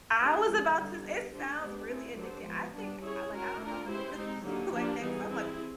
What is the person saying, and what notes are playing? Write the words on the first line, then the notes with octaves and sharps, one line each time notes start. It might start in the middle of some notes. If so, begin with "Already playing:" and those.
I was about to it sounds really addicting. I think I like, I don't know if I could be on a show like that 'cause I'm like,
A3 D4 G4 C5
F3 G#3 C4 E4 G#4
D3 G3 B3 D#4 G4
B3 D#4 G4
A3 D4 G4 C5
G#3 B3 D4 G4
A3 C4 E4 G#4
F#3 A3 D4 G4 C5
F3 G#3 B3
G3 B3 D4
C#4 E4 G#4 C#5
G#3 C#4 F#4 A#4
A3 D4 F4 A#4
G#3 C#4 E4 G4 C5
G#3 C4 D#4
D3 F#3 A#3 D#4 G4
F3 A#3 D4 G4 A#4
E3 G3 B3 D#4 G#4
C4 E4 G#4